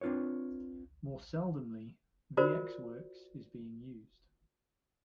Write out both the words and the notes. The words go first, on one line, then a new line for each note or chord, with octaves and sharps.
More seldomly, VxWorks is being used.
C4 D4 F4 B4 C#5
F4 F#4 A#4 C5 D5